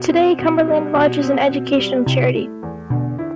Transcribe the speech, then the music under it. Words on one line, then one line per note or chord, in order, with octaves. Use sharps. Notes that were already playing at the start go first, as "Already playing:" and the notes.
Today Cumberland Lodge is an educational charity.
Already playing: B2
C4
B2
G3
B2
C4
B2
G3
C3 E4
A3
E2
B2 D3
E4